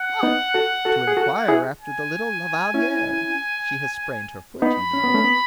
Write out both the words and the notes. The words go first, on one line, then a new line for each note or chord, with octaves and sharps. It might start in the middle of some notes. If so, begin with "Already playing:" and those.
"Ah, to inquire after the little La Valliere; she has sprained her foot, you know."
Already playing: F#5
B3 D#4
F#4 A4
F#4 A4
G#4
F#4 A4
E4 G#4
G#5
C#4 E4
B3 D#4 B5
C#4
B3
A3 C#4
B3